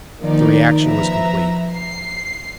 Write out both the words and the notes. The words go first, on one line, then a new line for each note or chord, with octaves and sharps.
The reaction was complete.
D#3 F3 A#3 D#4 D5
F3 B4 E5 A#5
C7